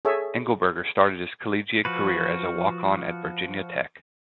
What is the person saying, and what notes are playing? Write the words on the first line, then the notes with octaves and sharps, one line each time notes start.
Engelberger started his collegiate career as a walk-on at Virginia Tech.
G#4 A4 C#5 E5
F3 F#4 B4